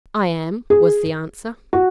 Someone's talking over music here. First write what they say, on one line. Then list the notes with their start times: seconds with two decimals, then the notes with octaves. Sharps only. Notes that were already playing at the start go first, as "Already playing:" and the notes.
"I am," was the answer.
0.70 G#4
1.73 F#4